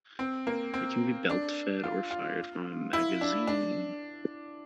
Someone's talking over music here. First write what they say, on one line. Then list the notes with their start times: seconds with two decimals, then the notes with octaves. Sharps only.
It can be belt fed or fired from a magazine.
0.19 C4
0.47 A#3
0.74 C4
1.30 D4
1.84 F4
2.11 F4
2.93 E4
3.21 D4
3.47 D4